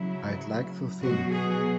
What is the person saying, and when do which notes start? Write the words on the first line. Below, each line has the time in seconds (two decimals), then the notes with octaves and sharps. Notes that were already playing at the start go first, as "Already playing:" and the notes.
I'd like to think.
Already playing: C#3 F#3 E4
1.02 B2 F#3 F#4
1.33 G#4